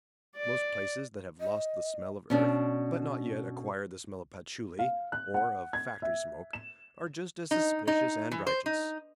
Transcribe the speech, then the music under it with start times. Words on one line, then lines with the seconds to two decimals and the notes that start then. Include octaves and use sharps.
Most places that have lost the smell of earth but not yet acquired the smell of patchouli--or of factory-smoke--are just as suspicious and righteous.
0.36 D5
1.40 D#5
2.30 B2 C#4 D4
4.79 F5
5.12 F#6
5.34 F#5
5.73 G#6
6.02 E5
6.53 E7
7.51 D#4
7.88 D#4
8.31 E3
8.47 C5
8.66 D#4